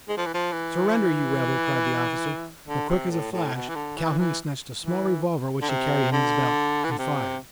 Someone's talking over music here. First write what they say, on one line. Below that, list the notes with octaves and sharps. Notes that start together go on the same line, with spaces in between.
"Surrender, you Rebel!" cried the officer, but quick as a flash, Calhoun snatched a small revolver which he carried in his belt, and fired.
G#3
F3
E3
F3
E3
F3
E3
D3
C3
A2
A2
B2
E3
D3
E3
E3
E3
D3
C3
D3
E3
D3
C3